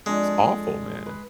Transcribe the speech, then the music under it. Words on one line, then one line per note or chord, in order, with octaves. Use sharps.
It's awful, man.
F2 G#3 D4
B4